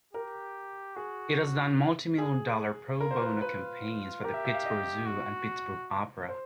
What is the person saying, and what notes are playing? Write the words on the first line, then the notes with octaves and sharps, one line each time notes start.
It has done multimillion-dollar pro-bono campaigns for the Pittsburgh Zoo and Pittsburgh Opera.
G4 A#4
F#4 G#4
G#4
F4 A#4
C5
B4
F4 B4
G4 A#4
E5
E5
F5
D#5
F#4
C5